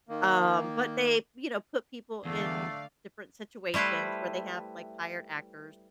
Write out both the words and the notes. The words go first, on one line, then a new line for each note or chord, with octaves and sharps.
Um, but they, you know, put people in different situations where they have, like, hired actors.
D#3 A#3
E2 D3 A3 D5 F5
G3 A3 E4 B4 C5